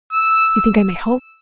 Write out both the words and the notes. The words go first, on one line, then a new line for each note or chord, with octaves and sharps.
You think I may hope?
E6